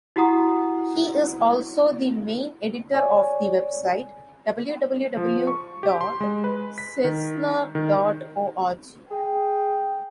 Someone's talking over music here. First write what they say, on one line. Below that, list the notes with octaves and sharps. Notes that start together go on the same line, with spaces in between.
He is also the main editor of the website www dot cesnur dot org.
E4 F#4 G4 F#5 A#5 D#6
C#5 D5 G#5
F3
C#6
G4
C6
G#3
B4
B6
D#3
D#3
G#4 G5